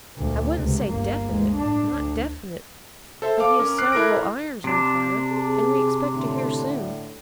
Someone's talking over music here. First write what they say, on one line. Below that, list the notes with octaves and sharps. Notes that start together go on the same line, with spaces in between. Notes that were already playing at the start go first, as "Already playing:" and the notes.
"I wouldn't say definite, not definite, but he has several irons in the fire and we expect to hear soon."
D2 A#2
C#2 C3
G1 A#3
D2 G#3
A2 D4
D2
A4 C5 E5
A4 F5 D6
C#4 A#4
D6 F6 F#6 C7
E4 A4 A#4 F#6 A#6 D7
C3 D4
G#4
A2 D3